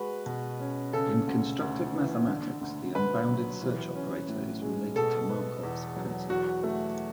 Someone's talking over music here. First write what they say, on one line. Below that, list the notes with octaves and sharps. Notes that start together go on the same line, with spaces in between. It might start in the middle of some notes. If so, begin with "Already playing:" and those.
In constructive mathematics, the unbounded search operator is related to Markov's principle.
Already playing: G#3 F#4 B4
B2
C#4
C#3 A4
D2
D2
E3
D3
D2
D2 B4
F#3
E3
C#4
A2
G#3
B2 A4
B3
E2
F#3
E2 F#4
A3